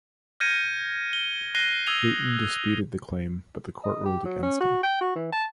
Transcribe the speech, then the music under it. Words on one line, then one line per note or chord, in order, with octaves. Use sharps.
Lewton disputed the claim, but the court ruled against him.
F6 G6 G#6 A#6 C#7 D#7
G7
F#6 A#6 C7 D#7 G7
D#6 E6 G#6 D#7 F7 G7
D#5
G4
F#3
C#4
F#4
G5
F#4
E3
A5